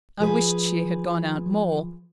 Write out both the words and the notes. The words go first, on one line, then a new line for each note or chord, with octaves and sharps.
I wished she had gone out more.
F3 G#4 B4